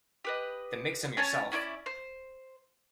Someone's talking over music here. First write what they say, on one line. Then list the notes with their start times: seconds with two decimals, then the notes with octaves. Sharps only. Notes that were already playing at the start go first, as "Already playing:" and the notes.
Then make some yourself.
0.25 G4 B4 D#5
1.17 C#4 C#5 G#5 A5
1.52 C#4 E4 C5 D5
1.86 C5